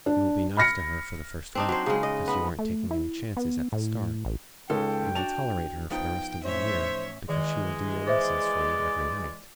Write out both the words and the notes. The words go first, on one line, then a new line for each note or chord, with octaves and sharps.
You will be nice to her for the first week, because you aren't taking any chances at the start; you will tolerate her for the rest of the year, because she will do your lessons for you every night.
D4
B5 F6 A#6 C#7
C4 D4 D#4
F#3 C5
C#3 G#3
D#5
B3
A3
E4
B3
A2
A1
C#2 D#4 A4 G5
D4 F#4 A5 F7
F3 B3 D#4 G5
A1 C5 C#5 E5
D#3 E3 G#3
C5 D5 E5